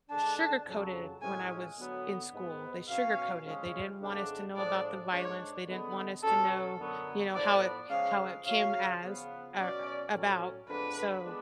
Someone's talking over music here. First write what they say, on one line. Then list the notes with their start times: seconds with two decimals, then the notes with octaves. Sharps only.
sugar-coated when I was in school, they sugar-coated. They didn't want us to know about the violence, they didn't want us to know, you know, how it how it came as, or, about, so,
0.10 D3 G#3 D4 A5
0.66 F2 C#3 F#3 C#4
1.21 A2 F3 G#3 C#4 G#5
1.78 D3 F#3 B3
2.33 G#2 G#3 B3
2.88 B2 F#3 C#4 F5
3.45 C#3 F3 G#3 C#4
4.01 F2 C#3 G#3 B3 D4
4.56 A2 F3 G#3 D4 D5
5.12 G#2 G#3 D4 C#5
5.67 D3 G#3 B3
6.23 B2 F#3 C#4 A4
6.79 F#2 D3 F#3 B3
7.34 A2 F3 B3 D4 D5
7.90 C#3 F3 G#3 C#4 F5
8.46 C#3 F#3 C#4 F5
9.02 C#3 F3 B3
9.57 B2 F#3 C#4 D5
10.13 A2 F#3 C#4
10.68 F2 D3 G#3 B3 D4 B4
11.24 G#3 B3 D4